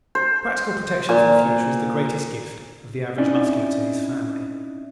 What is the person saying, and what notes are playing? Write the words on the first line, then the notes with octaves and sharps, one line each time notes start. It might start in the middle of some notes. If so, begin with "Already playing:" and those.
Practical protection for the future is the greatest gift of the average Muscular to his family.
C5
A#2
C4 C#4 D#4 E4 D5